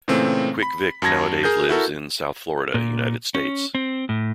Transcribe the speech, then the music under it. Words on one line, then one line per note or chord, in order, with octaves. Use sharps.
"Quick Vic" nowadays lives in South Florida, United States.
A#2 C#3 E3 A3 C4
B5
F#2 F#4 A5 G#6 A#6
G#4 A#4 G6
E4 F#4 A4 A#4
A#2
C#4
C4
A2